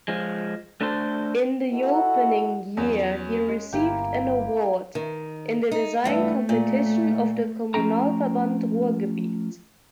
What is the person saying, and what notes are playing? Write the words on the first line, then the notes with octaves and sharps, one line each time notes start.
IN the opening year he received an award in the design competition of the Kommunalverband Ruhrgebiet.
F3 G#3
A3 D4 A4 C5
E4 F#4 A4 D#5 F#5
E2 F#3 C#4
G#3
G1 A#3 E4 G4
D#3
D#4
G2 E3 A3 B3
A#2
F3 A3 C#4 G5 A#5